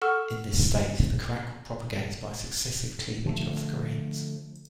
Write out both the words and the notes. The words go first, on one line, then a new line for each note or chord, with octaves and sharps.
In this state, the crack will propagate by successive cleavage of the grains.
A4 F#5 C#6 E6 F6 E7
D3 F3 A3